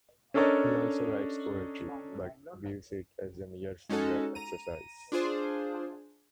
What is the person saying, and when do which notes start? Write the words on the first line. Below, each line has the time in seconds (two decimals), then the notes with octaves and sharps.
He also writes poetry, but views it as a mere finger exercise.
0.34 C#4 D4 A4 A#4 C#5 D#5
3.89 G#3 C#4 D#4 F#4 A4
4.35 A#5 D#7
5.12 D4 F4 G#4 C5